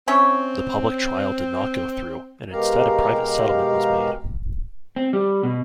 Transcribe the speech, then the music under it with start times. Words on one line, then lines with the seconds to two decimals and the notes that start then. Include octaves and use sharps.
The public trial did not go through, and instead a private settlement was made.
0.08 C4 C#4 E4 C#5
2.51 B2 G#3 G4 A#4 F5 A#5
4.96 C4
5.13 G3
5.43 B2